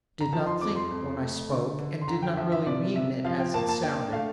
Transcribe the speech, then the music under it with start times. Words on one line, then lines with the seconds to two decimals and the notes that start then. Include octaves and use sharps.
I did not think when I spoke, and did not really mean it as it sounded.
0.21 A#5
0.33 F3 A5
0.47 C6
0.61 F2 D6
0.76 C6
0.91 F2
1.20 A3
1.49 D3
1.79 D3
2.02 C6
2.08 D3 A#5
2.22 G5
2.37 F3 E5
2.52 E5
2.66 C3 D5
2.95 C3 E5
3.24 F3 F5
3.40 G5
3.54 A#3 A5
3.69 A5
3.83 D4 G5
4.12 A3 F5